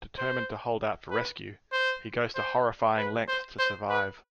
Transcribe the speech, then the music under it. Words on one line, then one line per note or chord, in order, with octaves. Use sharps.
Determined to hold out for rescue, he goes to horrifying lengths to survive.
C5
B4
C5
C5
B4
C5
C5
B4